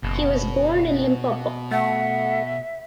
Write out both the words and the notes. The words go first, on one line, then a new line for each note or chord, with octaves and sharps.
He was born in Limpopo.
F#1 B2
A3 E5 F#5